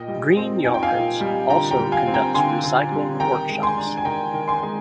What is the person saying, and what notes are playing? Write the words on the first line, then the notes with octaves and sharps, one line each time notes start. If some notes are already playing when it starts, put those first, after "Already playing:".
Green Yards also conducts recycling workshops.
Already playing: A#2 D#5 G5
G3
C4
D#4 G#5
G5
F5 G#5
A#2
G3
D3 G5 A#5
G5 A#5
G3
F5 G#5
C4
G5 A#5
D3 G#5 C6
D3
G3
D#3 G5 A#5
G#3
G#5 C6
D4
G#5
D#3 G5 A#5
D#3
G#5 C6
G#3